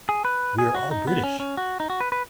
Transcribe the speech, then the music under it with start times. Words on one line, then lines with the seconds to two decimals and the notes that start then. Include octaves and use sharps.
We are all British!
0.09 G#4
0.25 B4
0.59 G#4
0.75 F#4
0.91 D#4
1.07 B3
1.23 C#4
1.40 C#4
1.57 F#4
1.80 D#4
1.90 F#4
2.01 B4
2.12 B4